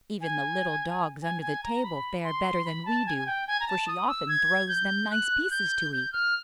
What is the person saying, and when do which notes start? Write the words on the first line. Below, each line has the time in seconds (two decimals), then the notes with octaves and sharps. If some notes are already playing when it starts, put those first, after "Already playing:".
Even the little dogs under the table fare better than we do, for she often throws them nice pieces to eat.
0.21 G#5
1.22 G#5
1.43 G#5
1.64 A#5
1.83 B5
2.24 C6
2.65 B5
2.86 A5
3.06 G#5
3.18 G#5
3.27 G5
3.47 G#5
3.60 A#5
3.68 A5
3.87 D#6
4.08 E6
4.29 G#6
4.69 G6
5.11 F#6
5.51 G6
5.92 G6
6.13 F6